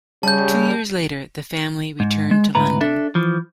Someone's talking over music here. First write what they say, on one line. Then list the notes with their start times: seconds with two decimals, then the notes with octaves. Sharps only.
Two years later the family returned to London.
0.23 C#3 G3 A5 G6
2.00 G#2
2.31 G#3
2.55 D2 G#2 E4 B4 A#5
2.81 D4 A4 E5
3.15 E3 F3